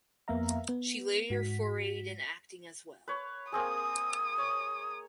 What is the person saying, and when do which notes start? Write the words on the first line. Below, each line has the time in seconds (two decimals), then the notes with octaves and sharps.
She later forayed in acting as well.
0.28 F2 A#3 B3 E5 F5 A#5
0.69 B3
1.30 G#2 F#4 B6
3.08 B4 C#5
3.52 A#3 C4 G#4 D#6
4.38 C#5